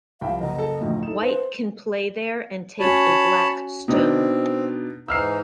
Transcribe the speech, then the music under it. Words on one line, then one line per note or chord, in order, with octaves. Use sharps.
White can play there and take a black stone.
C2 F3 E5 F5 G5 B5
F#1 D#5 F#5 A#5
A4
D2 A2 F3
D#4 E4 A4 E7
B4 C5
C#4 F#4 C#5 A5 B5
B2 C4 D4 D#4
G#2 E3 D#4 E6 F6 C7